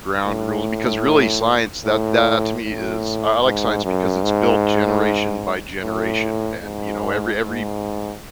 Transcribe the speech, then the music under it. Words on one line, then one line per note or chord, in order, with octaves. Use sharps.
ground rule because, really, science, that that to me is I I like science because it's built generation by generation, and, you know, every every
A2
A2
A2
G#2
F#2
G#2
A2
G#2
G#2